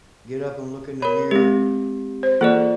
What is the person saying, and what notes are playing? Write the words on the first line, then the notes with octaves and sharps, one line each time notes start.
get up and look in the mirror,
A#4 C#5 B5
G#3 C4 G4
C5
E3 A#3 F4 G#4 A4 D5